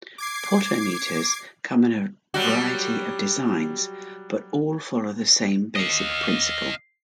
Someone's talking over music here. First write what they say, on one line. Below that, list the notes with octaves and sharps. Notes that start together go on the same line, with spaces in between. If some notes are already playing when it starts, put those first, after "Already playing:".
Potometers come in a variety of designs, but all follow the same basic principle.
D6 G#6 C7
F#3 G3 F#4
D#5 F5